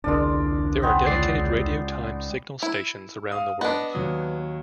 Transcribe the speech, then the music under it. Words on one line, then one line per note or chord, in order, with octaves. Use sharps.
There are dedicated radio time signal stations around the world.
E1 C2 D3 G#3 D4 A#4 D5
B3 C4 D#4
C#2 D5 C7
E4
F5 D#6
B3 D4 D#5
D#2 F#3 D#6